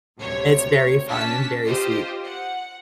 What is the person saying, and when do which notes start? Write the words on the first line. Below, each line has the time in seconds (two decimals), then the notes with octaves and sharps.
It's very fun and very sweet.
0.19 D2 C3 C#5
1.06 C#4 D4 A5 B6
1.66 F4 G4 C5 D#5
2.23 F#5